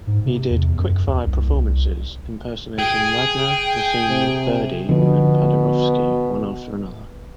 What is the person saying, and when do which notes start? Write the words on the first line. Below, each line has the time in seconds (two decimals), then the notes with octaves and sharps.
He did quick-fire performances, impersonating Wagner, Rossini, Verdi and Paderewski one after another.
0.07 G#2
0.25 C3
0.50 E2
0.77 F#2
1.07 D#2
1.27 C2
2.79 G#4 G5
4.08 C3
4.89 B2 D3 F3 B3